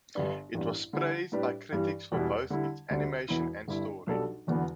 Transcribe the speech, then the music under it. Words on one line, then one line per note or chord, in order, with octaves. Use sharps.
It was praised by critics for both its animation and story.
G1 G2 G3 D4 B4
A1 G2 G3 B3 D4
D3 G3 E4
A2 G3 D4 G4 B4
G2 E3 G3
E1 E2 B2 G3 E4
D3 G3 E4
D2 D3 G3 D4
E1 E2 E3 B3 E4
G1 G2 G3 E4
B1 B2 G3 D4 A4
E1 E2 D3 B3